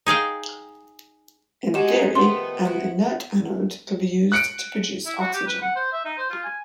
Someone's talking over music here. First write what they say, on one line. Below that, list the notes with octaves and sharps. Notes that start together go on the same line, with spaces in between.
In theory an inert anode could be used to produce oxygen.
D#4 G#4 F5 G5
G#3 D#4 F#4 G4 E7
D#3 F3 A3 B3 C6
E4 F#4
F#6 C#7 D7
E4
F#4
G4
B4
F#5
C5
E5
D#4
C5
F4
G#5